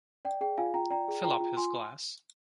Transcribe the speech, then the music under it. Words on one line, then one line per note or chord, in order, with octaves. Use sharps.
Fill up his glass.
D5 G5
G#4 G5
F4 F5 G#5
F4 G5 A#5
D5 G5 A#5
G#4
F4 G5 A#5
F4
F4 G#5 C6